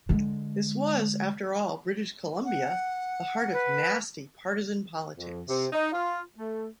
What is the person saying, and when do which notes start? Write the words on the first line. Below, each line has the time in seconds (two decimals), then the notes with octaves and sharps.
This was, after all, British Columbia, the heart of nasty, partisan politics.
0.09 D3 G#3
2.44 F#5
3.52 B4
5.17 F2
5.47 C3
5.72 D#4
5.91 F4
6.36 A3